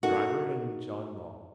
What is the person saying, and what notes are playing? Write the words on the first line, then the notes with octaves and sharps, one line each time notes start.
Driver in John Long's.
D#4 F#4 A4 A#4